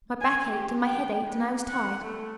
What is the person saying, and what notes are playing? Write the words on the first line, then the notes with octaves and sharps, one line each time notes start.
My back ached and my head ached and I was tired.
G#5
G4
G5
B3
F#5
A3